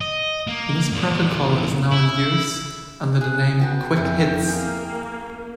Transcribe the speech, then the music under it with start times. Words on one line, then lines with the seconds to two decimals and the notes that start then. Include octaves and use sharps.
This protocol is now in use under the name 'Quick Hitz.
0.01 D#5
0.47 A#3
0.92 E2 A#2
1.91 E4
3.21 G#4 F#6
3.60 B3 F#4 G5 A5
3.96 F2 C#4 E4 G#4
4.48 A#3 G#4